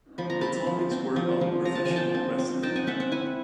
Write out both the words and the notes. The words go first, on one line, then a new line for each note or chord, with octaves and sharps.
The topics were about professional wrestling.
F3 B5
A#5
C4 A5 B5
F3
C4
F3
F3
F3 A#5
A5
F3 G#5
G5 A5
C4
C4
D#4 G5 A5
F#5 G#5
C4 E5 F#5
E5 F#5
E4 F#5 G#5